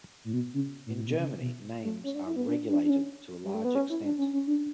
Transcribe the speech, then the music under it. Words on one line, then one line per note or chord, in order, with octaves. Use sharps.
In Germany, names are regulated to a large extent.
A2
B2
C#3
A2
A2
B2
C#3
B2
A3
C#4
D4
E4
B3
D4
D4
D4
C#4
G3
A3
B3
C#4
E4
D4
C#4
C#4
D4